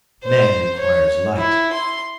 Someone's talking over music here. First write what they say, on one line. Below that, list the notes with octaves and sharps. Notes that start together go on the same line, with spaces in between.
Man requires light.
C5
C#5
E4
C6